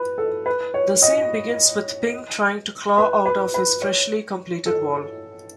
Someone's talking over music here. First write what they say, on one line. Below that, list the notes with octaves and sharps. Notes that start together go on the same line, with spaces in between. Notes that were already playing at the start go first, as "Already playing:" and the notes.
The scene begins with Pink trying to claw out of his freshly completed wall.
Already playing: B4
A4
B4
C#5
D#5
B4
B4
B4
C#5
A4